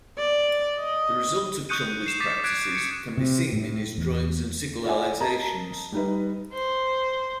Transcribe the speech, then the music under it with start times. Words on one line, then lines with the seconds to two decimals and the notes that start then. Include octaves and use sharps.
The results of Chumbley's practices can be seen in his drawings and sigillisations.
0.18 D5
0.79 D#5
1.69 C#6 D#6 F#6 G6 C#7 D#7
2.06 C7 E7
2.20 D6 A6 B6
2.44 F#6 G#6 D7
2.75 C#7
3.17 C3
3.53 A2
3.98 E2
4.84 F4 D5 E5 F#5 G#5
5.20 A#4 D#5 A5 A#5
5.92 G3 D#4 B4
6.53 C5